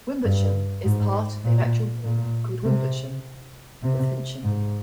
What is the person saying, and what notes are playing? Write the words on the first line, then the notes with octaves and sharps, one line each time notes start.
Wimbotsham is part of the electoral ward called Wimbotsham with Fincham.
G2
G#2
A#2
A#2
C3
C3
G#2